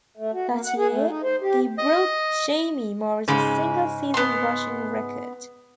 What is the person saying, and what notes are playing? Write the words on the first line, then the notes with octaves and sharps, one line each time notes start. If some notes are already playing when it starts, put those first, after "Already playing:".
That year, he broke Jamie Morris's single-season rushing record.
A3
F#4
A#3
F#5
G#4
A3
D#4
C5
G4
D#5
G#2 C#3 G#3
B3 C6